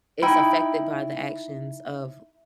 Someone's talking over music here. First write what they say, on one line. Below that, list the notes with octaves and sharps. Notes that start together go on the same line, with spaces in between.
is affected by the actions of
D#4 E4 G5 B5